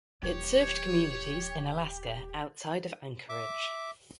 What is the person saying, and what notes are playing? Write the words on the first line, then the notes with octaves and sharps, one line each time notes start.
It served communities in Alaska outside of Anchorage.
D#1 E3 G4 C#5
E5 D6